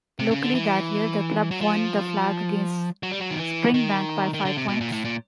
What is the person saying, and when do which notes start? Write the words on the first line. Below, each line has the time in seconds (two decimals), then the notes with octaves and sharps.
Locally that year the club won the flag against Springbank by five points.
0.19 C3
0.31 C#3
0.43 D3
0.55 E3
1.51 F#3
1.61 F3
3.03 F#3
3.11 G3
3.20 F#3
3.31 D#3
3.39 E3
3.74 D#3
4.34 D#3
4.45 D3
4.57 C3
4.68 B2
4.81 A#2
4.92 A2
5.05 A#2